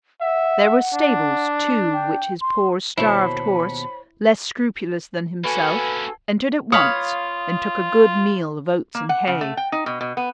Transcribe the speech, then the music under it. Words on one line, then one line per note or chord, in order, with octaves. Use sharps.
There were stables too, which his poor, starved horse, less scrupulous than himself, entered at once, and took a good meal of oats and hay.
E5 F#5
D4
G5
C6
D#2 B2 E4 C5 C#5 A5 B5
A#3 C#4 F#4 A4 B4 G#5
F4 C#5 F5 B5 D#6
A#3
F#5
C#3
A3
G5
D#4
B2
B2
B3